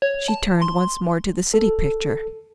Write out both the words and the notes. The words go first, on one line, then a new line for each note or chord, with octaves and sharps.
She turned once more to the city picture.
C#5
A5
C6
A4